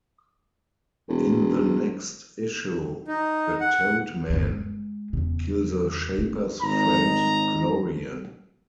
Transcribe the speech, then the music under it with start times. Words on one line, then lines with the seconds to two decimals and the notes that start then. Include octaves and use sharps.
In the next issue, the Toad Men kill the Shaper's friend, Glorian.
1.08 E1
3.08 D#4
3.61 F#5
4.30 G1 D#2
4.50 G#3
5.13 E2 C#3
6.18 A3 C4
6.63 G#1 D#4 A#5